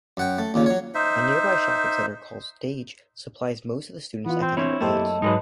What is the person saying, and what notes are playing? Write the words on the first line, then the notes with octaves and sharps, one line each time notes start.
A nearby shopping centre called "Stage" supplies most of the students' economic needs.
F#2 F#5 G5
A3
D#2 A#2 C#3
F#3 C#5
D#4 C5 E5
E3 B3 F4
C4
C4 D4 E4 C#5
F#2 A3 A#3 G4 C5 D#5 A5
G#2 F#3 G#3 D#4 A#4 B4